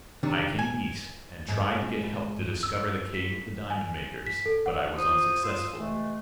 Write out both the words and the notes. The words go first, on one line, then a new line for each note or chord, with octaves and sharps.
I came East, and tried to get help to discover the cave of the diamond makers, but I was unsuccessful.
C3 D#3 D4
G#5
G#2
E6
B6
G#5
B6
A4
F#5
F4 C5 D#6
F4 C5 C6 D#6 E6
C3 E3 G#3 A3